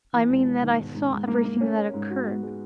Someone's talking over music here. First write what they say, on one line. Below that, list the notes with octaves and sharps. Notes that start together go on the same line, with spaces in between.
"I mean that I saw everything that occurred."
E3
E1
E1
D#3
G#2
G#2
G#2
A#3
A#3
C#4
C#4
G#2
F#4
B3
G#3